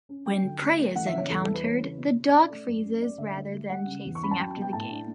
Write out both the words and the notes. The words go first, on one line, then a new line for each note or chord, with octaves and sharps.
When prey is encountered the dog freezes rather than chasing after the game.
C#4
F#3 G5
D3
D2
A3
E3 F#5
E5
C#3
C#5
E2 A4
G3 A4
B4
E3 C#5
C#3
B2
B2
C#4 D5
A3
F#2
C#4
A3 D5
D3 E5
D2
D2
G3 F#5
C#3
E2
C#6
C#4 B5
A5
F#3 G5
B2
G5
A2 A5
D4